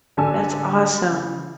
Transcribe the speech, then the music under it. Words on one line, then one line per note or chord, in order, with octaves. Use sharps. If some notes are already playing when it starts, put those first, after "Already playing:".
That's awesome.
A1 D3 A4 D5 G#5 E6
C#3